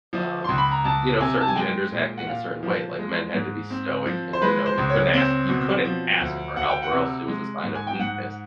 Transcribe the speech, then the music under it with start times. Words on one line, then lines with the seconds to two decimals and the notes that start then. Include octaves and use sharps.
um, you know, certain genders acting a certain way. Like, men had to be stoic and, you know, you couldn't ask you couldn't ask for help or else it was a sign of weakness.
0.13 F3
0.44 C#2 C6
0.58 B5
0.72 A#5
0.84 C#2 A5
1.20 C3 G#5
1.41 A5
1.48 G#5
1.56 G#3 G5
1.92 A#2
2.17 F#5
2.27 A#2 F5
2.63 F3
2.99 G#3
3.35 G#2
3.70 C4
4.06 F3
4.33 C5
4.42 G#3 B4
4.66 C5
4.78 C#2
4.90 C#5
5.13 C4
5.49 B2
5.85 F3
6.21 D2
6.56 D2 F#5
6.70 G5
6.82 F#5
6.92 C3
7.28 G#3
7.64 G#2
7.75 G#5
7.87 G5
7.99 G#2 F#5